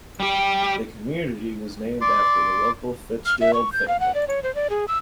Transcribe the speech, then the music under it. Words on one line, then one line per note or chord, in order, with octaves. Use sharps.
The community was named after the local Fitzgerald family.
G3 G4
D5 C6 D6
F6
E5
C#6
G6
F5
F#5
D5
C#5
C5
D5
G#4
E6